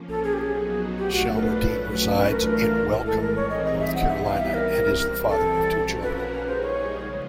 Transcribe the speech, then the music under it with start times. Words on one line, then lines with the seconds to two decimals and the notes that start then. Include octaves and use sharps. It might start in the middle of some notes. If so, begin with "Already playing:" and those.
Shelmerdine resides in Welcome, North Carolina, and is the father of two children.
Already playing: F3 A#3 C#4
0.09 A4
0.24 G#4
0.33 G4
0.39 F#3 B3 D#4 F#4 G#4
0.98 F3 A3 D4 F4 G4 A4
1.13 F#4
1.35 A#4
1.43 B4
1.58 F#3 A3 C#4 F#4
2.17 E3 A3 D4 F4 B4
2.31 A#4
2.39 B4
2.47 A#4
2.76 A2 E3 G#3
3.06 A4
3.21 A#4
3.36 E3 G3 C4 D#4 G#4 C#5
3.50 D#5
3.65 D#5
3.80 E5
3.95 E3 G3 B3 D#4 G4 F#5
4.09 E5
4.25 F5
4.40 E5
4.54 E3 G3 C4 A#4
5.14 E3 G3 C4 E4
5.29 A4
5.73 F3 A#3 C#4 F#4 A#4
6.02 B4
6.18 B4
6.32 G3 A#3 D#4 G#4 B4
6.48 C5
6.62 C#5
6.92 C#3 F3 G#3 B3